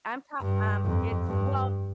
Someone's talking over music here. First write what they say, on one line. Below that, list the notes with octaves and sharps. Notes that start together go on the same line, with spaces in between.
I'm talk um, it's well,
G2
F2
G2